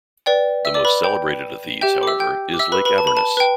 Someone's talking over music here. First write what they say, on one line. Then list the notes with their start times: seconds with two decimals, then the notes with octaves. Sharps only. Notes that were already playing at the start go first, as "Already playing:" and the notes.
The most celebrated of these, however, is Lake Avernus.
0.26 B4 D5 G5
0.65 E5 E6
0.74 D5 D6
0.85 B4 B5
1.04 G5 G6
1.81 G4 E5 G5 G6
2.03 D6
2.07 E5 E6
2.20 G5 G6
2.54 D6
2.59 E5 E6
2.72 B4 B5
2.85 B4 B5
2.98 A5
3.07 B5
3.17 A5
3.37 B4 G5